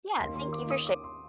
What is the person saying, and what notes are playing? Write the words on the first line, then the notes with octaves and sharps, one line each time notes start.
Yeah, thank you for shar
D#2 D#3 A#3 C6
C6
D6
D#6
D6
C6